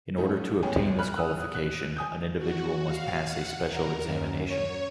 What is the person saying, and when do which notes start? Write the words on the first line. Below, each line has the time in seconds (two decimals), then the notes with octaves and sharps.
In order to obtain this qualification, an individual must pass a special examination.
0.17 C#3 F3 A3 C#4 D#4 F#4
0.63 A1 G#3 B3 C#4 G5 G#5
0.99 B5 F6 F#6
1.16 D#6 E6 F#6
1.55 F#6
1.97 G#5 D#6 G6
2.38 F#4
2.87 F5
3.28 F#5
3.68 A#4
4.05 F#2
4.47 C#5